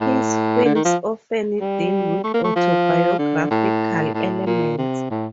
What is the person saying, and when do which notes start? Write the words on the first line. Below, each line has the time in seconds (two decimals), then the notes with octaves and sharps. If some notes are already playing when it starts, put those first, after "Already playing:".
His films often deal with autobiographical elements.
0.01 A2
0.64 D3
0.75 D#3
0.85 F3
1.60 G3
2.24 A3
2.34 A#3
2.44 A3
2.56 F3
3.18 D3
3.51 A2
4.14 A2
4.46 A#2
4.78 C3
5.10 A2